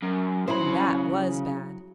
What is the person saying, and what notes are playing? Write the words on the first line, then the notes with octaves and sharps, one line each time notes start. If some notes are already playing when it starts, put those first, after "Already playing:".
And that was bad.
F#2
C#3 F#3 E4 C5 B5